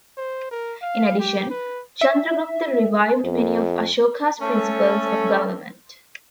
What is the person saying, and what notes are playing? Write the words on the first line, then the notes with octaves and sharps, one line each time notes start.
In addition, Chandragupta revived many of Ashoka's principles of government.
C5
A#4
F5
G4
B4
E5
F2
A3 C#4 A4